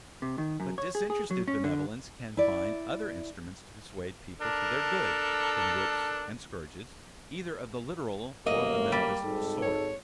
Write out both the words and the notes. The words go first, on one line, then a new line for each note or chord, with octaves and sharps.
But disinterested benevolence can find other instruments to persuade people to their good, than whips and scourges, either of the literal or the metaphorical sort.
C3
D#3
F#2
C#5
G#4
G#4
F#3
C#4
D3
E4 D5
D4 A4 A#4
G1 F#2 A#3 D#5
G3
G#1 G#2 A4
C#5